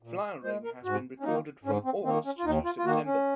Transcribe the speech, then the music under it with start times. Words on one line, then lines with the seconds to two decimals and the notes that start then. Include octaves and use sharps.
Flowering has been recorded from August to September.
0.03 A#2
0.43 G#3 C5
0.64 A#4
0.83 G#2 F#4
1.20 C#4
1.24 D#3 A#3 D#4
1.64 G#2 C#4
1.84 C4
2.04 D#3 A#3 C4
2.25 C#4
2.38 F4
2.45 D#2 D#4
2.65 F4
2.78 F4
2.85 D#3 A#3 F#4
3.05 C#4